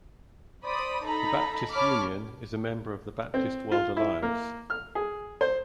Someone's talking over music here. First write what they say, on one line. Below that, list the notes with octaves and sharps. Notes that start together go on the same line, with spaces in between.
The Baptist Union is a member of the Baptist World Alliance.
C5 D5 B5 D#6
D#4 A4 A#5 B5
C#5 A5 B5 D6 F6
C4
F4
E4
A#3
F6
G#4
C5